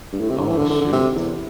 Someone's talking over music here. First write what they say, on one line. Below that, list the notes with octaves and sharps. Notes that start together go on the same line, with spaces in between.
Oh, shoot
G2
A2
C3
D3
E3
D3
D3
D3
C3
E2